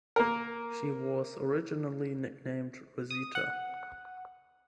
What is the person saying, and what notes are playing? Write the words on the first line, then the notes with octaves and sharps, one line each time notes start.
She was originally nicknamed "Rosita".
A#3 A#4
D#6
F#5